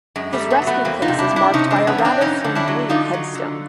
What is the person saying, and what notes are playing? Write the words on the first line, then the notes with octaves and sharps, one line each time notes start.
His resting place is marked by a rather flamboyant headstone.
F#2 G#3
G3 A3
F#2
A3 B3
F#3
A3 B3
E2 A#3 C4
D#4 F4
C3
D4 E4
E2
D4 E4
C3 C#4 D#4
C4 D4
E2
B3 C#4
E2
C4 D4
F2 C#4 D#4
D3
D4 E4
F#3
D3 D#4 F4
F#3
D3